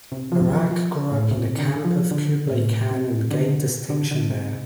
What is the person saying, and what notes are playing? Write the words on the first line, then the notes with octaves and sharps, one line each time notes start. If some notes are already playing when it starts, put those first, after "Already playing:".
Baraq grew up in the camp of Kublai Khan and gained distinction there.
C3
F3
F3
F3
A2
C3
D3
F3
D3
A2
C3
D3
D3
D3
C3